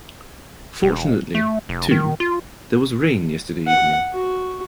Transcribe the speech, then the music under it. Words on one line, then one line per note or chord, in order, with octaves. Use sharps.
Fortunately, too, there was rain yesterday evening.
E1
A3
F1
D#3
F4
F#5
F#4